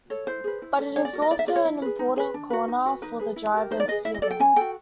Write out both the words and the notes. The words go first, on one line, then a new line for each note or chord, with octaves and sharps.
But it is also an important corner for the driver's feeling.
A4 C#5
E4 C5
G#4 B4
E4
A4
C#4 C#5
D5
F#4 A#4
D#5
D#4 D5
E5
G#4 B4 C#5 D5
E4
G#4 B4
D#4
G#4 B4
D4
F#4 B4
D#4
F#4 B4
D#4 B4
G#4 B4
E4
G4 A#4
D#4 C5
D5
G#4 B4 D#5
E4 E5
D#5
A4 D5
G5
C#4 G#5
F#4 A4 G5